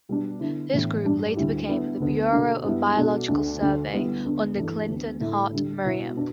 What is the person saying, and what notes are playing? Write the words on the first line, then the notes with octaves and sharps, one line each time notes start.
This group later became the Bureau of Biological Survey under Clinton Hart Merriam.
B2 G3 B3 D4
D3 B3 E4
A2 E3 B3 D4
G2 G3 D4
D2 D3 G3 E4
D3 B3 E4
D2 D3 B3
B2 A3 D4
G2 G3 B3 E4
B2 A3 D4
D2 D3 A3 D4
D2 D3 A3 D4
D3 G3 B3 E4
D3 B3 D4
G2 E3 A3 D4
D2 D3 B3
A2 A3 E4
D3 G3 D4
B2 B3 E4
B2 B3 D4